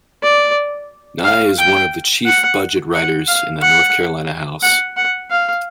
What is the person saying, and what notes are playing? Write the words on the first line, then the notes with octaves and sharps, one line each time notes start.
Nye is one of the chief budget writers in the North Carolina House.
D5
F5
G5
F#5
F#5
F5
F#5
F#5
F#5
F5